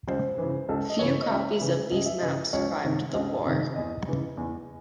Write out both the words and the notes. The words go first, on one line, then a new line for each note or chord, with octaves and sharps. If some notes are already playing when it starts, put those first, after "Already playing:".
Few copies of these maps survived the war.
C#2 C5
C#3 E3
C#2 A4
D#5
C#3 E3 C#5
D#5
C#2 E5
C#3 E3
C#2 D#5
E5
C#3 E3 D#5
C#2 C#5
C3 D#3
C#2 D#5
C3 D#3
E2 D#5
C#3 E3
E2